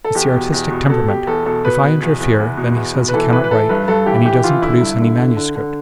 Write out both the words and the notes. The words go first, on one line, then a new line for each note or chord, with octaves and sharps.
It's the artistic temperament. If I interfere, then he says he cannot write and he doesn't produce any manuscript.
A4
E2 G4
B2
E2
B2
B2 A4
B2 G4
E2 A4
B2 A4
B2 B4
B2
E2
E2
E2
B2
E2
B2
B4
E3 A4
E3 B4
B4
E3 A4
G2 B4
G2 A4
E3 G4
E3 G4
E3 F4
D3 E4
G2
D3
D3
D3
D3